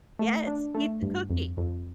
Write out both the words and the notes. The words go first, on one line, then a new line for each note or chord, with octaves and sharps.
Yes, eat the cookie.
A3
D4
A3
G2
F2
F2